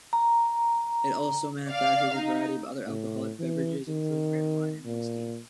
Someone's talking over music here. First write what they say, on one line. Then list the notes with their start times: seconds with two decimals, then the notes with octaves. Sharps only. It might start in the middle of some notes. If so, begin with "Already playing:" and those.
It also manufactures a variety of other alcoholic beverages including red wine and whiskey.
0.13 A#5
1.68 D5 F5
2.15 D#4
2.87 A2
3.39 E3
3.88 D#3
4.85 A#2